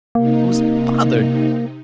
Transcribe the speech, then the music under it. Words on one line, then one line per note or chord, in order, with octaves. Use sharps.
I was bothered!
C3 A#3 D#4